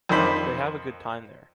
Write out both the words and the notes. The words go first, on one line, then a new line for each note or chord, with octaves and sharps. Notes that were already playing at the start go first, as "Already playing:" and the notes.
They have a good time there.
F2 D#3 D4 C5 B5